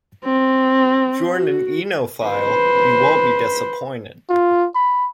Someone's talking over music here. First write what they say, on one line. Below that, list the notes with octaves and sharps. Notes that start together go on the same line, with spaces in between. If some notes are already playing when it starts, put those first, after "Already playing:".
If you're an oenophile you won't be disappointed.
C4
F#4
B4 C5
F4
B5